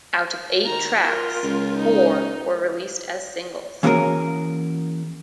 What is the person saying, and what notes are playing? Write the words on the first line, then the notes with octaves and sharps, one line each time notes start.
Out of eight tracks, four were released as singles.
D#3 A#5
F4 A#4
C#2
D#4
E3 A#3 C#4 F#4 G#4 A#4